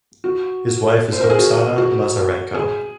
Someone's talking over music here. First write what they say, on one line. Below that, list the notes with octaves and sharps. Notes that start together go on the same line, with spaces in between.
His wife is Oksana Lazarenko.
F#4
C5
A#4
G#4
F#4
F#4
G#4